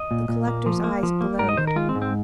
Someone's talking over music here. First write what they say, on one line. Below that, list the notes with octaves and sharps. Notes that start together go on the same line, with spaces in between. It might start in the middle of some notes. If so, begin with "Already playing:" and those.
The collector's eyes glowed.
Already playing: D#5
A#2
A#2
A#3
F3
A#3
F3
A#3
G#2 A#4
D#5
D#3 C5
A#4
G#3 F4
C4
G#2
C4